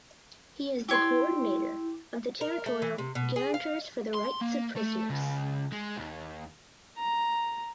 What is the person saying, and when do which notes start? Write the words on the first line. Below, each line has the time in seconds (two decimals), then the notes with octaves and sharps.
He is the Coordinator of the territorial guarantors for the rights of prisoners.
0.88 E4 G4 C#5 C6
2.41 A#4
2.66 A3
2.82 E3
2.98 C3
3.15 B2
3.36 G#4
3.54 F5
4.14 C6
4.41 A#3
4.76 A3
5.10 C#2
5.73 G#3
5.97 D#2
6.98 A#5